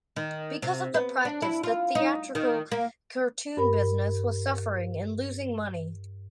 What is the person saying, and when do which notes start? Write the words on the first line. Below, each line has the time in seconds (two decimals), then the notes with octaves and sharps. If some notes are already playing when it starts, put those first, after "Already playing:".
Because of the practice, the theatrical cartoon business was suffering and losing money.
0.16 D#3
0.62 C3
0.94 B3
1.25 D4
1.42 E4
1.63 F4
1.95 D#4
2.35 D#3
2.72 A#3
3.57 G2 A#4 B5